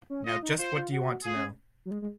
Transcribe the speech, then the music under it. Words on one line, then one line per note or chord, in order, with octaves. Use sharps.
Now just what do you want to know.
C#4
F4 D#5
D#4
F4 C5
F4
F#4
F4 G#4
C#4
F#3
G#3
G#3